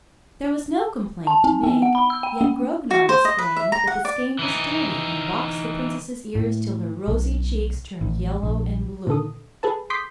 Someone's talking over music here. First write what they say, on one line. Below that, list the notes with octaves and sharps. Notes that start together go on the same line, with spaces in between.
There was no complaint to make, yet Grognon exclaimed that the skein was dirty, and boxed the princess's ears till her rosy cheeks turned yellow and blue.
A5
C4
B3
F#5
B5
E6
G5
A#3
F#4
C5
D#5
B4
E5
A#5
F#5
D5
E3 D#4
A2
B1
A1
A#1
A#2 D3 A4 D#6
G#4 A4 B4 A5
C6 D6 D#6 G6 B6 C7